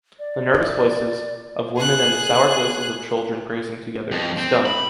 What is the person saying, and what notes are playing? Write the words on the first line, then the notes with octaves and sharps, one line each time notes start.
The nervous voices, of women and the sour voice of children praising together, stunned.
D5
G#4 F#6
F2
C4
B5